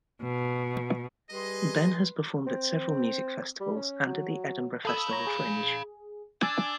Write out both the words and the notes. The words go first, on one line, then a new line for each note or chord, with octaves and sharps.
Benn has performed at several music festivals, and at the Edinburgh Festival Fringe.
B2
G3 G4 G#4 B4 D#5 C6
C4
G3
C#4
F#3
A4 F5 B5 D#6 E6
C#5 A#5
G#4
D4 G#5 E6 A6